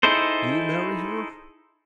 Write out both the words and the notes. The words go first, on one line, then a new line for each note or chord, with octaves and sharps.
"You marry her!"
D#4 E4 G#4 A4 C5